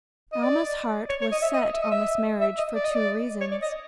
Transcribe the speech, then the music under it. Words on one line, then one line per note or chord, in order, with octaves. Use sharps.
Alma's heart was set on this marriage for two reasons.
D#5
D5
C#5
C#5
D#5
E5
D#5
E5
D#5
E5
E5
D#5
D5
D#5
D5
C#5
D5
D#5